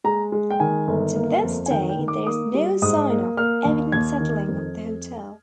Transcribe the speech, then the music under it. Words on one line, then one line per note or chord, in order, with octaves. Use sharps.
To this day there is no sign of evident settling of the hotel.
G#3 A#5
G#3
G5
D#3 G#5
G1
A#3
F2
G#5
D#3 G5
G5
D#3
D6
A#3 D#6
G3
G#2 D#6
A#3
A#3 F6
D#2
D#2 G#6
D#3
F2